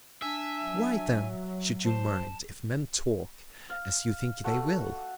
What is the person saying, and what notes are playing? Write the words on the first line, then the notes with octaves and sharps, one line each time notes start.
Why then should you mind if men talk as you think they will?
D4 E5 G#5
F#3
C5 A5
F5
A3 F#4 A4